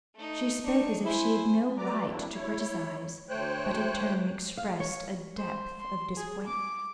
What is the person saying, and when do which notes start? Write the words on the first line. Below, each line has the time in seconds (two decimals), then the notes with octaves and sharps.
She spoke as if she had no right to criticise; but her tone expressed a depth of disappointment.
0.15 A3 D#4
0.65 D4 D#4 C#6
1.05 E4 C5 G#5
1.77 F#3 B4 D5 A#5 D6
2.08 D3 F#3 A#3 C4 D4 E4
2.34 E4 C#5
3.29 D2 A3 C5 C#5 G5 F#6
4.57 F5
4.80 C#5
5.37 C5
5.80 C6
6.17 G#4
6.47 D6